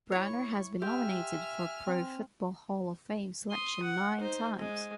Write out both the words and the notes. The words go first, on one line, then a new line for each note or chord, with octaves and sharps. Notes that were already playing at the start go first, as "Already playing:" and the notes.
Browner has been nominated for Pro Football Hall of Fame selection nine times.
E4 C#5 C#6
G4 E5 F5 G5 G#5 C6 F6
C4
C6 D#6
F#5
D#4 C5
G#3